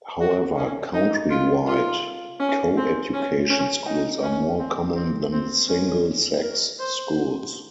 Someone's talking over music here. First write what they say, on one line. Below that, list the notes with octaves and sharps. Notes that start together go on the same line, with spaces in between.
However country-wide, co-education schools are more common than single-sex schools.
F#4
C#4
D#4
F4
F4
C#4
C4
C#4
C#4
D#4
C#4
C4
C4
C4
C#4
A#4
C5